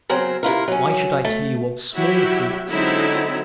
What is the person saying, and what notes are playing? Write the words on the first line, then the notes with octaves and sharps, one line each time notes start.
Why should I tell you of small things?
C#3 F#3 C4 A#4
C3 E4 F4 A#4
F#3 C#4
A3
F#3 E4 F#4 G4 E5
D3 F#3 G#3 C4 D#4 E4